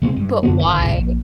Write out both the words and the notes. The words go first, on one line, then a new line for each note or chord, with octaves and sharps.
But, why?
C#3 G#3 B3 C4
G2
F#2 D3 B3
G1 D#3
G1 C2 G#2 D3
A#1